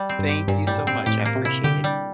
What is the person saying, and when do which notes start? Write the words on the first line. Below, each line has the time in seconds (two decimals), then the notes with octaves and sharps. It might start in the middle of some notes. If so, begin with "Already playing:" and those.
Thank you so much, I appreciate it.
Already playing: G3
0.09 C4
0.19 G2
0.29 G4
0.48 G2 A#2
0.67 A2 G3
0.87 C4
1.06 A2 G4
1.25 A#3
1.35 C3
1.45 E4
1.64 D3 G4
1.84 G3